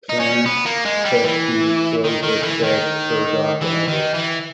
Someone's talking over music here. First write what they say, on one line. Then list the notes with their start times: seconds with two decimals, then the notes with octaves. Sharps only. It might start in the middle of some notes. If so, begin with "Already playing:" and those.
Plants: fescue, clover, sedge, burdock and others.
0.10 D#4
0.20 C#4
0.46 B3
0.66 A#3
0.85 G#3
1.05 G3
1.24 E3
2.04 D#3
2.23 D#3
2.43 E3
2.63 D#3
3.62 E3
3.88 D#3
4.14 E3